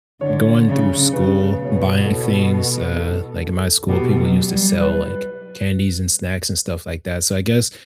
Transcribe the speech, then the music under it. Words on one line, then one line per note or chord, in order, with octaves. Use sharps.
going through school, buying things, uh, like, in my school, people used to sell, like, candies and snacks and stuff like that, so I guess,
D3 C#5
C#3
C#3 B4
B2
C#5
B4
A4
A4
B2 G4
F#3
G3
B4